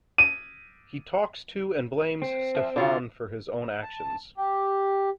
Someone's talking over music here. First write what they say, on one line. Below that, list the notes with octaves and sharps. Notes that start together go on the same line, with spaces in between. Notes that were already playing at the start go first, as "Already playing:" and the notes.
He talks to and blames Steffen for his own actions.
D#7
C4
F3 E5
D3 F4 F#4
A5
G4